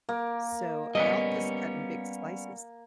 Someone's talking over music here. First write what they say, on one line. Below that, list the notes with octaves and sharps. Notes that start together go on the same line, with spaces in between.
so I'll just cut in big slices.
A#3
G3 B3 C#4 D#5